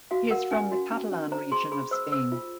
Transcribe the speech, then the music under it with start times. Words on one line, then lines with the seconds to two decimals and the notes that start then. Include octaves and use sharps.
He is from the Catalan region of Spain.
0.11 F#4 F5
0.30 A#4 F#5
0.51 C#4 G#5
0.71 F#4
0.92 C#4
1.12 C#4
1.32 C5 A#5
1.52 G#4 C6
1.72 G#4 B5
1.91 C5 E6
2.12 C5 E6
2.32 F4